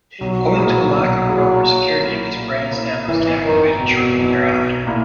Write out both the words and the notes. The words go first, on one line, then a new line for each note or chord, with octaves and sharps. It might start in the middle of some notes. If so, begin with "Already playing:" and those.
Owing to a lack of proper security, this grandstand was deactivated shortly thereafter.
B1 F#3
A#2 A#3 E4 G#4
B1
A#2 A#3 E4 G#4
A#2
A#3 C#4 E4
A#2
A#3 C#4 E4
G#1 E3
F#2 D#3 E3
G#1 B2
F#2 E3
B1
A#2 A#3 E4